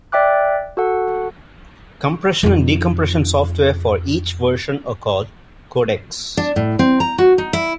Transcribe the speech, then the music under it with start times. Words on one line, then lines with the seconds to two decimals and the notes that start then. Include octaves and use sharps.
Compression and decompression software for each version are called "codecs".
0.12 D5 E5 G5 D6 F#6
0.77 F#4 A4 F#5
2.43 F2 D#4
6.37 D4
6.56 A2
6.79 C4
7.00 A#5
7.18 F#4
7.38 D#4
7.53 E4